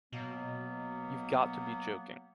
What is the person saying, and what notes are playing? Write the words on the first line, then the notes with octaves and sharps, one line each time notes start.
You’ve got to be joking.
B2 F#3 A#3 B3